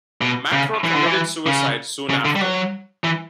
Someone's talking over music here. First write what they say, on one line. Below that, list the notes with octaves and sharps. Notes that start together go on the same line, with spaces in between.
Macro committed suicide soon after.
B2
C#3
E3
D3
E3
C#3
C#3
D3
G3
F#3
E3